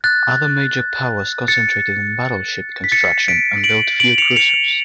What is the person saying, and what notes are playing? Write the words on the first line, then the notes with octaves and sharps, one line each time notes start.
Other major powers concentrated on battleship construction and built few cruisers.
F#6 A6
A6 C#7
B6
A6 C#7
B6 D7
D7 F#7
D7 F#7
C#7 F7
C#7 F7